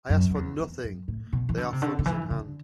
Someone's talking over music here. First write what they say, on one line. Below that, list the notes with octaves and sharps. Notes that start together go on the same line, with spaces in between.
I ask for nothing; there are funds in hand.
F#2
F#2
E2
E2
F#2
A2
B2
E3
D3
C3
D3
D3
E3
D3